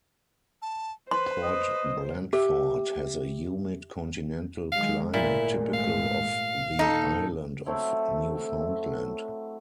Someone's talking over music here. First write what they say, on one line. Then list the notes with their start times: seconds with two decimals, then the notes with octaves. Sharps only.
Port Blandford has a humid continental climate typical of the island of Newfoundland.
0.62 A5
1.11 B4 C5 C6
1.43 D#5
2.33 G4 E5
4.72 D#3 F#3 G#3 F5
5.14 G#1 A#2 G#3 A3 E4
5.74 F5
6.79 D#2 A#2 D#4 A4
7.66 F#3 A3 C4 E4